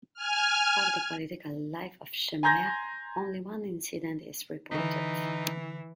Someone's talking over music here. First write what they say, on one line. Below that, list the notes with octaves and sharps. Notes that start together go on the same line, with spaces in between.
Of the political life of Shemaiah only one incident is reported.
G#5 F6
G#5 A#5 C6 G6 G#6 A#6
D3 E3 D#4 B6